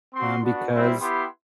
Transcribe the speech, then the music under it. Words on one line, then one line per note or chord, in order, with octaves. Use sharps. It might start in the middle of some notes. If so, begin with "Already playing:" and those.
Um, because
C4 F#4 C6
B3 D4 F#4
G3 C4 E4
B3 E4 G4 C6